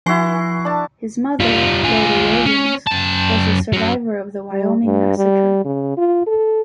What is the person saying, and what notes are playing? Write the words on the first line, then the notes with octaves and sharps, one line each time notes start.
His mother, Rhoda Williams, was a survivor of the Wyoming Massacre.
F3 E4 F#4 G#5 C6 C7
D4 A5
G3 F4
F4 G#4
C#4
F#2 A5
F#2 F#3
G3
G2
G3
C#3
F4
A4